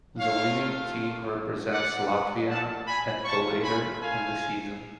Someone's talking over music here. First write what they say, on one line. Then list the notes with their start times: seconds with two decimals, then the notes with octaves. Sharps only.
The winning team represents Latvia at the later in the season.
0.18 A3 F4 C#5 F5
1.71 D5 F#5
2.48 F#5 A5
2.86 G#5 B5
3.25 A3 F4 A5 C#6
3.63 G#5 B5
4.02 F5 G#5